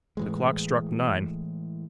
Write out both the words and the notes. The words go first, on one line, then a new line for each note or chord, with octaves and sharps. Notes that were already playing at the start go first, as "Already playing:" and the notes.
The clock struck nine.
A2 E3 G#3